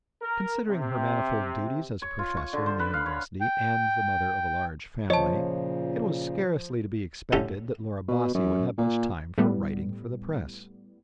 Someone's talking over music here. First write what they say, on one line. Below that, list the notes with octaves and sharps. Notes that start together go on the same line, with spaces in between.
Considering her manifold duties as a professor in the university and the mother of a large family, it was scarcely to be expected that Laura Bassi would have much time for writing for the press.
A#4
C3
C#5
F4
C#6
D3
C5
B4
F5
C#5
G5
A#2 C#3 F3 C#5 D#5 A5
A2 D3 A3 C#4 G4
B2
F#2
A#2
A2 G3 B3